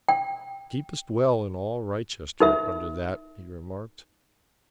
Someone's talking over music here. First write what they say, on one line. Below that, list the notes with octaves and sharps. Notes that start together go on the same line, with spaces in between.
"Deepest well in all Wrychester under that," he remarked.
G5
D#4 A#4 E5